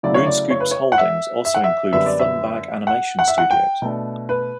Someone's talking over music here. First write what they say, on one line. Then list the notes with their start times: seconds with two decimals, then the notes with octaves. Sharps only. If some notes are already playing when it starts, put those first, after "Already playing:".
MoonScoop's holdings also include Funbag Animation Studios.
0.03 C#3 F#3 A3 E4 D5
0.14 C#5
0.26 D5
0.50 C#5
0.60 B4
0.71 C#5
0.92 F#5
0.98 E5
1.45 E5
1.54 F#5
1.64 E5
1.92 F#2 D3 G3 B3 E5
2.06 D5
2.20 E5
2.87 F#5
3.19 F#5
3.28 E5
3.38 F#5
3.51 G5
3.82 B2 A3 D4
4.29 B4